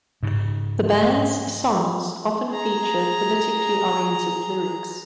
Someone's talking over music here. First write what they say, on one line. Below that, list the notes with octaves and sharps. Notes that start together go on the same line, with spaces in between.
The band's songs often feature politically oriented lyrics.
G#2 C#3
G#4 A#5